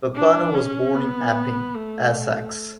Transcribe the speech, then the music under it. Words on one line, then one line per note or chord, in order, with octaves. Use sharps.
Pappano was born in Epping, Essex.
D4
C#4
B3
A3